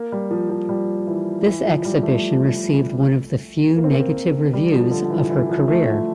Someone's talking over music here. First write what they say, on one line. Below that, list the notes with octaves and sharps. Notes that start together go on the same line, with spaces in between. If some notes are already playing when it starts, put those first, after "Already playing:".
This exhibition received one of the few negative reviews of her career.
Already playing: A#3
G3
F3
F3
G3
E3
E3
F3
G3
A3
A#3
C4
A#3
G3
F3
D3
E3
E3
F3
A3